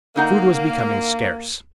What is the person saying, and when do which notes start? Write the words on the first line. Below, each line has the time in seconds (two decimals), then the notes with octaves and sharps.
Food was becoming scarce.
0.16 D3 A#3 D#4 F#5